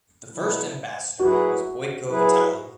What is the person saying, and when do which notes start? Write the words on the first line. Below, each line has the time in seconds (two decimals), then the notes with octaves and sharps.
The first ambassador was Boyko Vitaly.
0.30 B2 F#3 E4
1.19 F#3 E4 F#4 G#4 B4
2.08 F#3 E4 G#4 B4